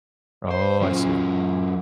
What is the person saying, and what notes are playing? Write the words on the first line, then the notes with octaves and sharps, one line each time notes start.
Oh, I see.
C5
F#3 C#4 F4